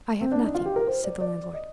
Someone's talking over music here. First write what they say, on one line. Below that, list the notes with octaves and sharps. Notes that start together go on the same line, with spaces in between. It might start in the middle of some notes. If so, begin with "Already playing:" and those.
"I have nothing," said the landlord.
C4
D4
D#4
F4
G4
A#4
C5
D5
D5
D#5